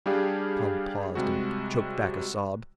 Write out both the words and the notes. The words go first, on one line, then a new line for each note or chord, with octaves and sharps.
Tom paused, and choked back a sob.
G3 D4 G4 G#4 F5
C3 G3 G#3 F#4